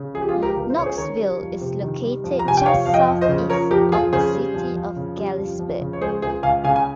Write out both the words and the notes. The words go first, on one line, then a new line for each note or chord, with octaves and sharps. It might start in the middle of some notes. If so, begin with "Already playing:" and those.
Knoxville is located just southeast of the City of Galesburg.
Already playing: C#3
F3 G#4
G4
F4 G#4
G#3
G4 A#4
C#2
C5
C#3 C#5
G#4 C5
D#3 A#4 C#5
G3
F2
C3
D#3
G3
F2
A#5
C3 G#5
G5
F3 C#5 F5
F2 F5
D#5 G5
F2
C5 D#5
C#3
F3 A#4 C#5
F2 G4 A#4
F2 F4 G#4
C#3 G#4 C5
G3
F2
F2
C#3
G3
F2
F2
C#3
C#5
G#3 G#4 C5
C#2 G#4 C5
C#2 F5 G#5
C#3 F5 G#5
G#5